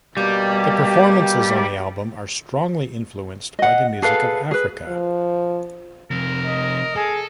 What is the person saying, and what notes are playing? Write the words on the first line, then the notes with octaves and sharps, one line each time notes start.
The performances on the album are strongly influenced by the music of Africa.
B2 G3 A#3 G4
D#5 F#5
G#4 A4 B4 F5
G#4 B4
F3
C3 F3 A#4
D#5
G#4 A4